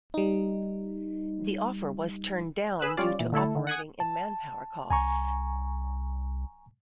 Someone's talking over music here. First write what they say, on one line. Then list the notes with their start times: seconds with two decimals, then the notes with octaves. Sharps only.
The offer was turned down due to operating and manpower costs.
0.14 G3 D#4
2.79 G#4 B4 E6 F#6
2.97 G3 C#4 F4 D5
3.19 A#2 E3
3.32 D3 A3 E4 A4
3.55 D3 D#3
3.67 F#5 G#5 D#6
4.00 A5
4.90 C2 G#5 A#5 C#6